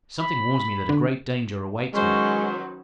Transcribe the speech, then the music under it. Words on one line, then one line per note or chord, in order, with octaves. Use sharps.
"Something warns me that a great danger awaits me."
B5
D3
D#3 F#3 G#3 C#4 B4 C5